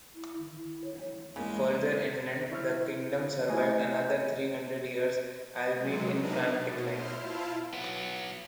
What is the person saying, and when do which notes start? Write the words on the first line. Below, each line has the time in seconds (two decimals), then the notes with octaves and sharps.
Further inland, the kingdom survived another three hundred years, albeit in frank decline.
0.14 E4
0.39 D#3
0.55 E4
0.84 C#5
1.36 E2 C#3 G#3 A#3
2.51 E4 C5 C#5 E5 F6
3.50 A3 E4 D#5 G#5
5.71 C3 F#3 G#3
6.11 B3 D4 D#4 A#4 B4
6.49 B2
6.88 E4 C5 C6 F6
7.17 E4 F4 F5 A5
7.73 F#3 B3